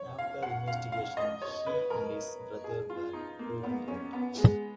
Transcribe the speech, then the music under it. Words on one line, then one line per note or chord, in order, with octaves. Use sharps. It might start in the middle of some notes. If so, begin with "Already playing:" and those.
After investigation he and his brother were proven right.
Already playing: C#5
F5
F#5
F5
F5
D#5
C#5
B4
A#4
G#4
F4
D#4
A#3
B3
C#4
B3
G#3